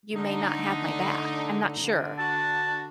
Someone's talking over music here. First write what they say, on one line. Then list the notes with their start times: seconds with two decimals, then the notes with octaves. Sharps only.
you may not have my back. I'm not sure."
0.15 D3 A3 D4 D#4
1.79 D3
2.18 D4 F#4 A5